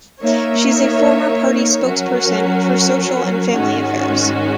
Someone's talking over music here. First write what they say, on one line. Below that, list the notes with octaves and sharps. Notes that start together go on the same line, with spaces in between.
She is a former party spokesperson for Social and Family Affairs.
A#3 D#4 A#4 C#5 E5
F#3 C#4 F#4 A#4
G#2 D#3 G#3 C#4 F#4